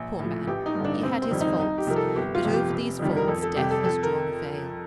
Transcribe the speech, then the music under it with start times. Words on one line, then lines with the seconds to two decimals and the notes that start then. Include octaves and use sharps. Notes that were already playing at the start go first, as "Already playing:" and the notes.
Poor man; he had his faults, but over these faults death has drawn a veil.
Already playing: A#1
0.19 A2 F3
0.47 A1 G4
0.66 D#4
0.75 G2 D3
0.85 D4
1.03 F1 C4
1.22 C4
1.31 F2 D#3 G3
1.41 D#4
1.59 C2 D#4
1.78 G4
1.87 C3 F3 A#4
1.96 A4
2.15 G1 G4
2.35 F4
2.44 F2 C3 F3
2.53 G4
2.72 F1
2.99 F2 D#3 G3
3.17 A#4
3.27 F2 A4
3.42 A4
3.56 C3 G3 G4
3.71 A4
3.84 F2 A4
4.03 A#4